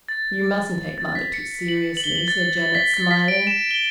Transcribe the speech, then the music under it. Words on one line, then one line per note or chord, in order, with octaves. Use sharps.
"You mustn't take mother too seriously," said Janet, smiling.
A6
A6
B6
C#7
F#7
F#7
G7
F#7
A6
A6
B6
A6
B6
D7
E7
G7